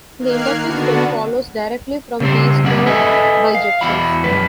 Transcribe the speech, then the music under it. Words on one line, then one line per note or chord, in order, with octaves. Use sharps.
The inductive step follows directly from these two bijections.
D#3 A#3 F6 F#6 G#6 C7
D3 B3 D4 F#4
C#3 G3 C4 C5
C#2 F#2 G3 A#3 F#5
A4 B4 D#5 E5 G#5
F5
E2 E4 F#4 B5
F#2 G#3 B4